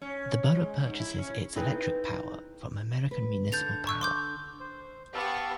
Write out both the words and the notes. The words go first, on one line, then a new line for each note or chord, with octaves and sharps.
The borough purchases its electric power from American Municipal Power.
C#4
G#3
G#2
E4
C#4
C4 D#4 E4 G#4 B4
B4
D3 G6 A6 F7
C#6 E6 F#6
C6 D6 G6
C5
B3 G4 F5 A5 C#6 E6